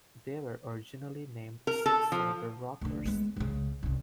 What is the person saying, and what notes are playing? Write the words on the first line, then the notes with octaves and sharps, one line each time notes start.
They were originally named Six Sided Rockers.
A#4
A4
F3
D2 D3
G#3 B3
C#2 C#3
C2 C#4